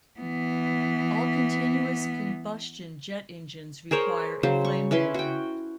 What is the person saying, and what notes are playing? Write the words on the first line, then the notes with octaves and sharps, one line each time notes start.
All continuous-combustion jet engines require a flame holder.
E3 B3
G#4 A#4 C5 C#5
C#3 F#3 C5
C#6
C#4 E4 B4 C6
F#4 G5